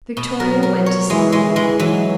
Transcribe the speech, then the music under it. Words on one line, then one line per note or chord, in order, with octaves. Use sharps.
Victoria went to sleep again.
B2
F#3 A#4
A#4
C#5
E3 G#3
G#3
E3
G#3
E3 F#3